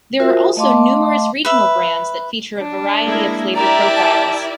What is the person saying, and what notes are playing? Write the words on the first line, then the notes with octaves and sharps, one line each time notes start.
There are also numerous regional brands that feature a variety of flavor profiles.
F4 F#4 A#4 C5 E5
A3 D#5 F5 A5 C6 D6
B4 E5
D4
G#3 A#3 E4
E4 G4 A#4 D5 E5 A#5
A5